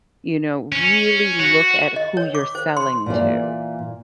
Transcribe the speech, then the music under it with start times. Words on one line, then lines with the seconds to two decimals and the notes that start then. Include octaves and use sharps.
you know, really look at who you're selling to
0.72 C#4
1.40 F#4
1.96 D#5
2.17 C#5
2.35 D6
2.55 C5
2.77 C6
3.06 A#2 E3 D5